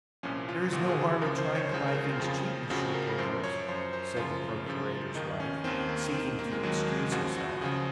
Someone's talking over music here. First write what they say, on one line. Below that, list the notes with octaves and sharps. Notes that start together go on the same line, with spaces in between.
"There is no harm in trying to buy things cheap, Monsieur Porthos," said the procurator's wife, seeking to excuse herself.
C2 A#2 F3 C#4
F4
C2 A#2 F3 F#4
G#4
G#4
C#2 C#3 F3 A#4
C5
C#5
C#2 C#3 F3 C5
A#4
F4
F2 C#3 F3
F2 C#3 F3 F#4
A#4
F#2 F3 C5
C#5
F#2 F3 C5
C5
F#2 C#3 F3 F4
F#2 C#3 F3
D#2 D#3 D#4
C#4
D#2 D#3 C4
A#3
D#2 D#3 C4
A#3
G#3
D#2 D#3 F#3
G#3
C#2 C#3 F3 F#4
F#4
C#2 C#3 F3 G#4